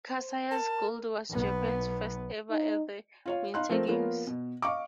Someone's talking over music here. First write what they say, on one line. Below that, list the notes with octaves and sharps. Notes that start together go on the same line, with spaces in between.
Kasaya's gold was Japan's first-ever at the Winter Games.
C5
A#4 A5
B1 B3
D#4
F4 C#5 F5
D#4 F5 C6 F#6
F3 A3 C4 A#4 C5
F3 A#3 B3 F4 A#4 C#5
B2
D#5 F5 C#6 D6